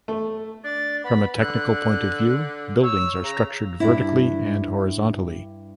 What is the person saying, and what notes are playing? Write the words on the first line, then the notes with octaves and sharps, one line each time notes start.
From a technical point of view, buildings are structured vertically and horizontally.
A3
D4 A6
B3 B5
D3 F#6
C#5 E6
C#3 A#5
G2 D4 E4